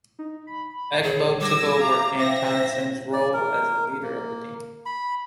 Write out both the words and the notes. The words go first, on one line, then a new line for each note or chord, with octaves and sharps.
Eckbo took over Antonsen's role as the "leader" of the team.
D#4
B5
G#4 C#5
G3 D6 E6 G#6 A#6
F5 A#5
C4 E5 A#6
D5
A#4
A#3
B5